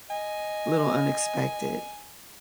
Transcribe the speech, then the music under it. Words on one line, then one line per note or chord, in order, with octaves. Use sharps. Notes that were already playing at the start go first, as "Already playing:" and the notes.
little unexpected.
D#5 G#5